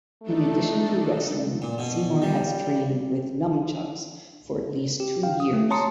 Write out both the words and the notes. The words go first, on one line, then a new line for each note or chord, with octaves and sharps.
In addition to wrestling, Seymour has trained with nunchucks for at least two years.
A3 D4 D#4 A4
A#2
B2
G3
G4
F5 G5
D#6
A3
C#5 A5 A#5 C6 D#6 C#7